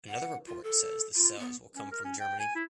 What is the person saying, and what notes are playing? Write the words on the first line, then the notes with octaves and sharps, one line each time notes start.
Another report says the cells will come from Germany.
F#5
F4
A4
F4
B3
C#4
A#4
C#4
G5
G#5
E4